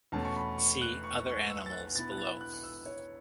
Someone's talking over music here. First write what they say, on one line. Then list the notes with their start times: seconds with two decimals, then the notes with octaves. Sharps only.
See "Other animals" below.
0.12 E2 B2 A3 C#4 A5
0.25 C#6
0.36 B5
0.58 C#6
0.82 F#6
1.04 C#6
1.26 C#6
1.50 E6
1.66 A6
1.72 F#6
1.95 B2 B3 E4 A6
2.12 F#6
2.18 A6
2.41 F#6
2.54 F#6
2.63 E6
2.86 C#5